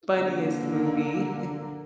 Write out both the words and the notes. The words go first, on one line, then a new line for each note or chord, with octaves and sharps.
funniest movie.
D3 A#3